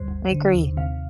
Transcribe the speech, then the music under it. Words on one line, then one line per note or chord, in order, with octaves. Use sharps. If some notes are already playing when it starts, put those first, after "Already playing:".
I agree.
Already playing: D2 G2 C5
G1
D3
D#2
C3 F5